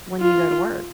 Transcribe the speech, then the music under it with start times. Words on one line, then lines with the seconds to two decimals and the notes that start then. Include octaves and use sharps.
when you go to work,
0.20 F4